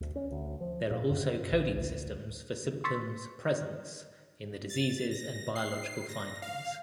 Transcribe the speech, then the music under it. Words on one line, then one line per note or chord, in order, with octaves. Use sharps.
There are also coding systems for symptoms presents in the diseases and biological findings.
D2
C#4
D2
F3
A#2
F#2
A#1
D2
C6 C#6 E6 A6 B6
A6
A#6
C7
A#6
F5